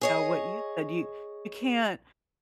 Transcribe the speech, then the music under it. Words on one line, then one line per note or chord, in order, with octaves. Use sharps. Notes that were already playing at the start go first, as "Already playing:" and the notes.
Know what you do you you can't
G#4 C#5 D#5